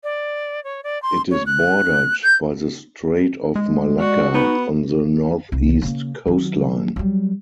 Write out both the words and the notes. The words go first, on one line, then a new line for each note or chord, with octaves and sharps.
It is bordered by the Strait of Malacca on the northeast coastline.
D5
C#5
D5
C6
C#5
F#6
G6
G#3
F#4 D5
B3 D#4 B5
C2
C#3 A#3
D#3 F#3
F#3 G3